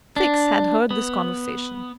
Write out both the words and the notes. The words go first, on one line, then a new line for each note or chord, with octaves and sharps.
Fix had heard this conversation.
D4
B3